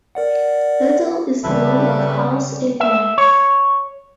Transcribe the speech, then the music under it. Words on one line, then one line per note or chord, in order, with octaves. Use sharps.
Little is known of Hall's early life.
A#4 D5 F#5
C#3 G3 A4 B4 E5
E5
C#5